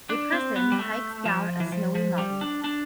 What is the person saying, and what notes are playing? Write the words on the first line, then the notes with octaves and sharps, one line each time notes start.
A person hikes down a snowy mountain.
D4
C4
B3
G3
A3
F3
E3
F3
F3
G3
D4
D4